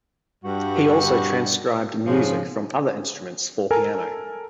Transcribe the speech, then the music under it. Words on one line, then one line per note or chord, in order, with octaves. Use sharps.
He also transcribed music from other instruments for piano.
G2 G3 F#4
G#2 C#3 F3
A4 A#4 G#5